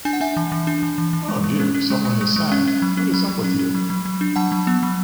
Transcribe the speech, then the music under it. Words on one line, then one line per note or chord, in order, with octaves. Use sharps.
Oh dear, someone is sad. What is up with you?
D4 G#5
F#5
D4 E5 G#5
E3
E3
D4
E3
E3
E3
G#3
G#3
C#4
C#4
G#3
G#3
G#3
G#3
C#4
C#4
F#3
C#4
F#3
F#3
C#4
C#4
F#3
F#3
F#3
D4
F#3 F#5 A5
F#3
B3
F#3